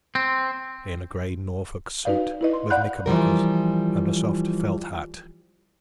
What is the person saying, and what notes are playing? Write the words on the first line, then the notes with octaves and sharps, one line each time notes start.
"In a grey Norfolk suit, with knickerbockers, and a soft felt hat."
C4
D#4 F#4 B4 D5 F5
E4 B4 D#5
C6
D5 F5 F#5 B5 F#6 G6
E3 F3 G3 A#4